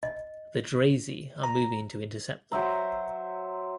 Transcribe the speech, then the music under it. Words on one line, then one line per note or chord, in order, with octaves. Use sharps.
The Drazi are moving to intercept them.
D#5
A#5
F#3 C5 E5 A#5